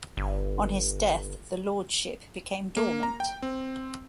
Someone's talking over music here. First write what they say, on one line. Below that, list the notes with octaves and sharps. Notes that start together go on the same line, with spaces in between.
On his death the lordship became dormant.
G1
A#3
A#5
G5
C4